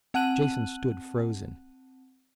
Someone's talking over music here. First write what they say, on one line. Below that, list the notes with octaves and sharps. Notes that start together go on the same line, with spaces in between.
Jason stood, frozen.
C4 F#5 A5 F#6 D#7 F#7